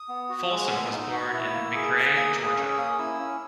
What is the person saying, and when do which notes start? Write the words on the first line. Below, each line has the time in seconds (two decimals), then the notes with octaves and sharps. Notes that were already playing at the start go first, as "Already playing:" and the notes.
Folsom was born in McRae, Georgia.
Already playing: D#6
0.09 B3
0.29 F#4
0.50 G#3 E6
0.70 B3
0.92 D#4
1.12 F#4
1.33 E4
1.54 A#3
1.75 G#4
1.95 G#4
2.15 A#3 D#6
2.36 G#4 D#6
2.57 C#4 E6
2.78 A#3 D#6
2.98 E4 E6
3.19 C#4